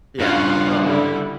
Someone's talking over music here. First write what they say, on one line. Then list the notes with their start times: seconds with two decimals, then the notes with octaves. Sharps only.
Yeah, well
0.20 G2 C#3 F4 F5 F#5
0.84 D3 G3 E4